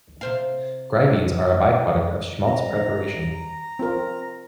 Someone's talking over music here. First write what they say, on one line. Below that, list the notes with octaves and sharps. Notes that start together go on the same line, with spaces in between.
Gribenes are a byproduct of schmaltz preparation.
C3 C5 F5
C4 A#5
C4 F4 A#4